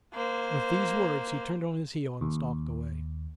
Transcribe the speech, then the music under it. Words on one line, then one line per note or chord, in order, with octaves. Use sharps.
With these words he turned on his heel and stalked away.
A#3 C5
D#2